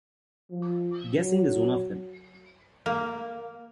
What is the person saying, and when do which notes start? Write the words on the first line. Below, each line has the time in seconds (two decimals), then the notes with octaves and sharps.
Guessing is one of them.
0.50 F3
1.17 F#3
2.86 A#3